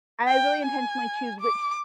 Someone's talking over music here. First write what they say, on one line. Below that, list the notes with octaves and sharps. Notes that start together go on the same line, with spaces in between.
I really intentionally choose which
G5
G#5
D6